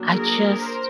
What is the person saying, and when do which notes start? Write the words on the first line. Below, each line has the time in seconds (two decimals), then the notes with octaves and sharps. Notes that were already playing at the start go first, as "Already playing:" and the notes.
I just,
Already playing: F#3 A#3 D4
0.12 G#4 A#4
0.57 A#4 C5